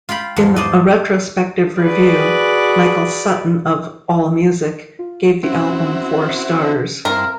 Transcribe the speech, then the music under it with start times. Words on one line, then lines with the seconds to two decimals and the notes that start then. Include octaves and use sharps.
In a retrospective review, Michael Sutton of AllMusic gave the album four stars.
0.09 F4 F5 G5 B5
0.36 E2 G#2 F3
0.56 C5 D5 D#5
1.81 F#4 G#4 B4 D5
4.99 F4
5.43 C4 C#4 E4 F#4
7.05 G2 C4 E4 A#4 F5 A#5 C6